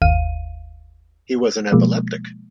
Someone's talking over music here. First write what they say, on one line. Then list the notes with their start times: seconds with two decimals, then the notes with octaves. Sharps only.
He was an epileptic.
0.02 G1 D#2 F5 D#7
1.72 B2 F3 G#3 A#3